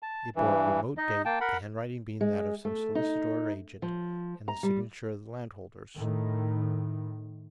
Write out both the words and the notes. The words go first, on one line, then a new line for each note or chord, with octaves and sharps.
It bore a remote date, the handwriting being that of some solicitor or agent, and the signature the landholder's.
A5
G2 E3
D#4 D#5
A#3 G5 A5
A#4 F#5 B5
G#3
A3
D#4
F3
A#5
G3
A2 D#3